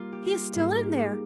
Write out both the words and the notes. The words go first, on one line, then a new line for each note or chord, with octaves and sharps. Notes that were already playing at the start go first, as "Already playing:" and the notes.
'He is still in there!
Already playing: G3 A#3 F4
G4
F4
G4
G#2 G3 A#3 F4
G4
G4